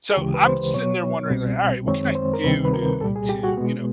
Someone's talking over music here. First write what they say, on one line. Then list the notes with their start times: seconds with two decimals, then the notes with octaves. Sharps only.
So, I'm sitting there wondering, "Alright, what can I do do to, you know,
0.11 G#4
0.17 D2 C#3 E3 G#3 G4
0.34 B4
0.45 C5
0.74 B2 F#3 B3 C#5
1.30 C2 B2 G3 C4
1.87 F#2 D#3 G#3 C4 C#5
2.15 C5
2.33 A#4
2.44 D2 C3 D#3 G3 C4 B4
2.65 B4
2.73 A#4
3.01 C2 A#2 G3 A4
3.16 G#4
3.29 G4
3.43 F#4
3.57 B2 G#3 B3